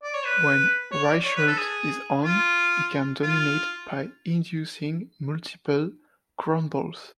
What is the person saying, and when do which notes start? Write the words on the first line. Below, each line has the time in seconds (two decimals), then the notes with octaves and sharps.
When Reichert is "on", he can dominate by inducing multiple groundballs.
0.03 D5
0.14 C#5
0.26 B4
0.92 C#5
1.04 D5
1.25 C#5
1.36 B4
1.47 A4
1.58 G#4
2.24 F4
3.23 F4